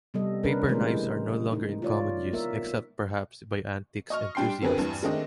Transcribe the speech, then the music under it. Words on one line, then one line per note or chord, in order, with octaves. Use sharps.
Paper knives are no longer in common use, except perhaps by antiques enthusiasts.
C3 G3 B3 A4 D#5
C3 C#4 D4 A#4 B4
C#3 E3 G#3 A3 A#4 C5
D#4
F4 C#5 D5
B3 A#4 E5
D#5 C#6 F6
G3 D4 G5 C6 C7
D3 B3 C4 G#4 A#4 B4
E2 G2
D#3 G#3 A3 C4 D4 D#5